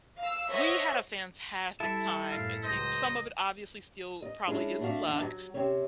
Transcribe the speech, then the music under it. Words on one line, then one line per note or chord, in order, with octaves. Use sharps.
We had a fantastic time, eh, y y some of it obviously still probably is luck,
F5 E6
C5 C#5 D#5 E5 F#5
G3 E4 A4 E5
F#2 A2 F5
C#2 F#3 C5 D#5
D#5
G#3 C#4 D4 E4 G#4
A3 B3 D4 F#4 E5 F5
E2 D4
F#3
C3 C4 C#4 C#5